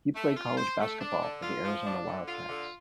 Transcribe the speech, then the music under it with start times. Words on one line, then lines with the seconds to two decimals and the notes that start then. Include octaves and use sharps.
He played college basketball for the Arizona Wildcats.
0.15 A3
0.36 F4
0.57 C5
0.79 A3
1.00 D4
1.21 D3
1.43 F4
1.65 F3
1.85 D4
2.07 D3
2.27 F4
2.49 D3